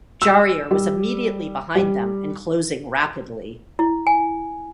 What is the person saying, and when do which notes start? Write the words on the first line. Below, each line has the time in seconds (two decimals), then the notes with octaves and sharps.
Jarier was immediately behind them and closing rapidly.
0.22 E6
0.71 G3
1.75 G3
3.79 E4
4.07 G#5